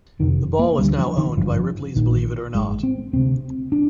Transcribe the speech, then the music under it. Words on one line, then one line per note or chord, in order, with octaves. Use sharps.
The ball is now owned by Ripley's Believe it or Not!
F1 F2 C3 D#3
A#3
D2 D3 G3
F3
D#3
G#1 G2 D3 F3
A#1 A#2 D#3
G#1 G#2 G#3
C4
D2 C3 C4
D4